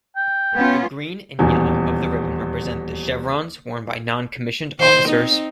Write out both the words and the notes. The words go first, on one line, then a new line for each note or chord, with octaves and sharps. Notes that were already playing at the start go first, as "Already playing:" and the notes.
The green and yellow of the ribbon represent the chevrons worn by noncommissioned officers.
G5
B3 C#4 F4
D#1 E2 B2 G#5
D#3 C5
C4 D#4